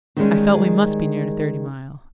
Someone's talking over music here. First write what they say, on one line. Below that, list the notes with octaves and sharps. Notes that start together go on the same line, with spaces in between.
I felt we must be near to Thirty Mile.
D#3 G3 G#3 C#4